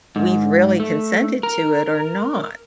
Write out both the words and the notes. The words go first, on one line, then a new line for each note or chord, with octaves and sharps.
we've really consented to it or not.
G#2
A3
A#4